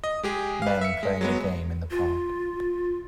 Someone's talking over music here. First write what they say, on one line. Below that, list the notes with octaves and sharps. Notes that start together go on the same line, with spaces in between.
Men playing a game in the park.
D#5
G#3 G4 G#4
B4 F5
E5 B6 C#7
G#3
F#3 G#3 B3
F4